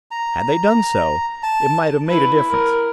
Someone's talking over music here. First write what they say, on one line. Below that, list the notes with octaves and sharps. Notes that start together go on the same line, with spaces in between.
Had they done so, it might have made a difference.
A#5
A5
E4 B4
A#4